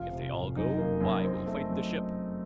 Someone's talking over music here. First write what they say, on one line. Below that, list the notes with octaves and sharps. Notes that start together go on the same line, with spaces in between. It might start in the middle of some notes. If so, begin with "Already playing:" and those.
If they all go, why we'll fight the ship.
Already playing: F1 F4 F5
C3
F1
F#2 D#4 D#5
A#3
F#2
C4
A3
F#2